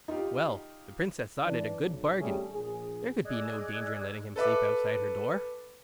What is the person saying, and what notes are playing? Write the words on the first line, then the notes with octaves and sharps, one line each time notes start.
Well, the Princess thought it a good bargain; there could be no danger in letting him sleep outside her door.
D#4 F4 G4
E3 D4
B1
G#1 G3 A3 C#4 G#4
A#1 G#4
G#4 D5 D#5 E6 F#6 G#6
A4 B4 E5 D6